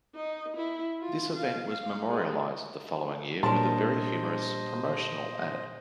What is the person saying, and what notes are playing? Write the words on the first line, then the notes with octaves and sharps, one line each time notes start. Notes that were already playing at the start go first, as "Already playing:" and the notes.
This event was memorialized the following year with a very humorous promotional ad.
D#4
E4
F4
F5
F5
G#3
A#2 G3 D4 A#4 C5 C#5 D#5 A5